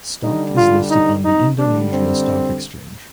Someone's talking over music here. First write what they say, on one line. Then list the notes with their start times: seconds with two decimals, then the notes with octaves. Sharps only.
Stock is listed on the Indonesia Stock Exchange.
0.22 D3 G3 D#4
0.56 F4
0.90 D#4
1.25 D#4
1.58 D3 G3 D4
1.92 C4